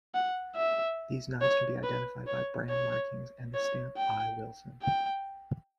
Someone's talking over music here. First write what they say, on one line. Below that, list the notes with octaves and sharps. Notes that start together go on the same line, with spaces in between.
These knives can be identified by brand markings and the stamp I. Wilson.
F#5
E5
C#5
B4
C#5
C#5
C#5
G5
G5